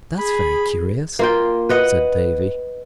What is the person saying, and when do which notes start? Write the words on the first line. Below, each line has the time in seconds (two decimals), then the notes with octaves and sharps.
"That's very curious," said Davy.
0.18 G#4 B5
1.19 A#3 F4 G5
1.69 B4 D#5 F#5